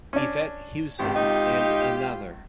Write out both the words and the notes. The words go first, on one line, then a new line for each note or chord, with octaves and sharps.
Yvette Hewson and Another.
C#4 D4
G#1 C#2 F4 G4
D#4